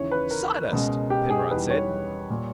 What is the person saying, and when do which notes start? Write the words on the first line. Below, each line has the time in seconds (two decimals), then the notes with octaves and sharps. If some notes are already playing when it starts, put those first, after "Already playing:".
"Sawdust," Penrod said.
Already playing: D#2 C#3 E3 C#5
0.11 B4
0.31 A#4
0.71 C#2 B2 G#3
1.10 G4
1.30 G#4
1.50 E2 D#3 G3 B4
1.70 C#5
2.30 A#2 G3